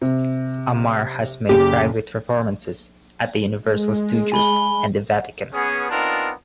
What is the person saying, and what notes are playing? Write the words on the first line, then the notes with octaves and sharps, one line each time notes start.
Ammar has made private performances at Universal Studios and the Vatican.
C3
F#1 G4
G#3
G#5 B5 G7
B3 C#4 G#4
B3 C4 D4 D#4 F4 A#4